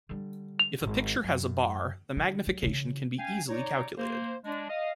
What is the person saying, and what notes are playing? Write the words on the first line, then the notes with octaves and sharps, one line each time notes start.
If a picture has a bar, the magnification can be easily calculated.
D3 G3
F7
G#1 G#2
F#2
D3 D#3
F#3
C#3 E3
C#4 F5 G5 G#5
D#4 C#5 D5
A#3 C5
G#3 D4
D#5 F5